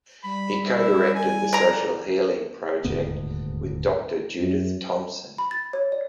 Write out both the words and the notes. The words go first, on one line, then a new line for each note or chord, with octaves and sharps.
He co-directed the Social Healing Project with Doctor Judith Thompson.
G3 B5
E4
G#5
D5 A#5
D#1 D2 G#2 B3
F#2
B5
A6
C#5
D5